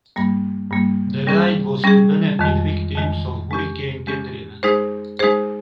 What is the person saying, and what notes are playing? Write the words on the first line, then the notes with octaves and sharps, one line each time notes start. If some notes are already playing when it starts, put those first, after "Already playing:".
The ride was to benefit victims of Hurricane Katrina.
G2 G3 A#3
G2 G3 A#3
G3 C#4 G#4
G3 C#4 G#4
F2 D#3 G#3
F2 D#3 G#3
G#3 C#4 G4
G#3 C#4 G4
G#3 D#4 G#4 C5
G#3 D#4 G#4 C5